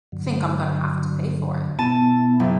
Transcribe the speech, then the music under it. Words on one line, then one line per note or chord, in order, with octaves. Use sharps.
Think I'm gonna have to pay for it.
G2 D3 F#3
B2 B3 E4 A5
F#1